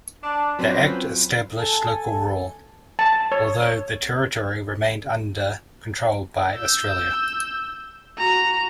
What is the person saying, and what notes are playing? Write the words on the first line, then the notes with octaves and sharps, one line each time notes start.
The Act established local rule, although the territory remained under control by Australia.
D4
F#3 C4 C#4 F4 B4 C5
A4 G#5
A5
C#5
E6 G6
F#4 A#5